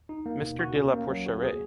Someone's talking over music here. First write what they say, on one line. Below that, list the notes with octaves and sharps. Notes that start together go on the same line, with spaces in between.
Mister de la Porcheraie.
D#4
A#3
B2
F#4
C#4
A#3
F#3
F#4
G#4